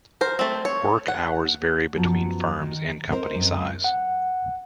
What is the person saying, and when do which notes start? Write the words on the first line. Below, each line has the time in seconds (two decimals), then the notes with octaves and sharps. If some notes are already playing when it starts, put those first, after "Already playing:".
Work hours vary between firms and company size.
0.21 A#4 C5
0.39 A3 C4
0.65 C#5
1.08 F#5
1.96 F#2 F3 F#3 B3
2.60 D#3
3.10 C4 D#4 A#4 C5
3.35 F#2
3.84 F#5